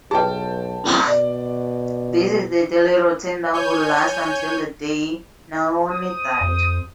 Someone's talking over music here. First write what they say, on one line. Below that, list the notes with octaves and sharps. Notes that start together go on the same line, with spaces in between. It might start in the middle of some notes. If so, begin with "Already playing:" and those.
This is the daily routine that would last until the day Nonoi died.
B1 G#4 B4 G5 A5
B2 D5
C#5 G#5 G6
C5 D#6
F2